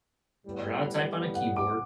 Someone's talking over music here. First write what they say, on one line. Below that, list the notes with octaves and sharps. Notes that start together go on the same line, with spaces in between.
learn how to type on a keyboard,
A2 G3 B3
F#5
D6